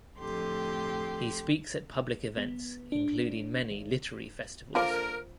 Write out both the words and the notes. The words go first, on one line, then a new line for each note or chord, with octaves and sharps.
He speaks at public events including many literary festivals.
F2 A2 D3 G4 C6
B3
D4
G#1
D3 A#3 F4 A#4 C5 D5